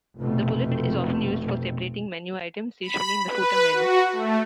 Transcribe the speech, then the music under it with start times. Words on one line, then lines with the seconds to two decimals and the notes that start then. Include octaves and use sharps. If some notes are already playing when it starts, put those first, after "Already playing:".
The bullet is often used for separating menu items, usually in the footer menu.
0.19 F1 F2 B2 A3 C4
2.82 B5
3.27 B4
3.73 F#4
4.13 A3